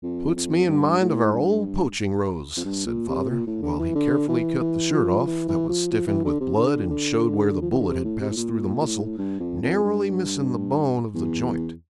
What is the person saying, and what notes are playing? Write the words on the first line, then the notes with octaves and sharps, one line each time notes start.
'Puts me in mind of our old poaching rows,' said father, while he carefully cut the shirt off, that was stiffened with blood and showed where the bullet had passed through the muscle, narrowly missing the bone of the joint.
F2
F2
G2
A2
G2
F2
G2
A#2
C3
A#2
A2
D3
E3
D3
E3
E3
F3
E3
E3
F3
F3
E3
D3
C3
D3
D3
F3
E3
D3
C3
A2
C3
A2
A#2
A#2
A#2
A2
G2
F2
F2
G2
E2